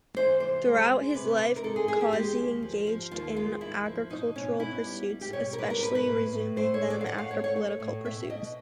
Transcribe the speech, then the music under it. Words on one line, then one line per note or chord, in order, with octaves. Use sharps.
Throughout his life Causey engaged in agricultural pursuits, especially resuming them after political pursuits.
E3 C5
C3 C5
G#3
G#3
C3 B4
C3
A#4
G#3 A4
G#4
E3 G#4
G4
G#3 G4
D#2
F3
F3
D#2 F4
G#3 F4
D#2 E4
F3
B2 D#4
B2 C#4
B3 E4
G3
G3
G4
B2 C#5
A#4
G3 B4
A#4
B2 B4
B4
A2
A2
A3 C5
C#5
A2
D5
F5
A3 F#5
F5
A3 C#5
C#5
A3
A2
B2 E5
B2 D#5